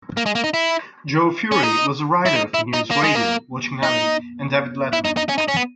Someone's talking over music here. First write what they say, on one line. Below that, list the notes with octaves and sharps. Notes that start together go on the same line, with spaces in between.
Joe Furey was a writer for "NewsRadio", "Watching Ellie", and David Letterman.
A#3
G#3
A#3
D#4
E4
C#4
D#4
E4
D#4
E4
D#4
A#3
G#3
A#3
D#4
E4
D#4
D#4
C#4
D#4
C#4
B3